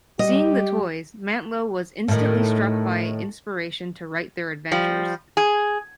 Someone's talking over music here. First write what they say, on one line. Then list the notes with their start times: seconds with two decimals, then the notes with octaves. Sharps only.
Seeing the toys, Mantlo was instantly struck by inspiration to write their adventures.
0.19 G3 G4 D#5
2.08 A2 D#3
4.72 F3 G3
5.37 G#4